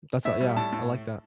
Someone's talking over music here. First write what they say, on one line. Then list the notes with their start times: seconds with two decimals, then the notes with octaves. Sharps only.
that's a yeah, I like that.
0.25 A2 E5
0.41 G3
0.57 A2 A5
0.72 A2